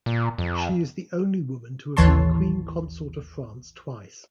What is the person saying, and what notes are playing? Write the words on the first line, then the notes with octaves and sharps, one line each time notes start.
She is the only woman to have been queen consort of France twice.
A#2
F2
A1 D#2 E3 C#5 A5 C6